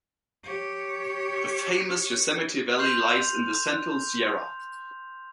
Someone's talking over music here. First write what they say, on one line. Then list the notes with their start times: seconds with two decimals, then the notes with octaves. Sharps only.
The famous Yosemite Valley lies in the Central Sierra.
0.43 G4 C#5
2.78 C6 F6 G6 C7 F7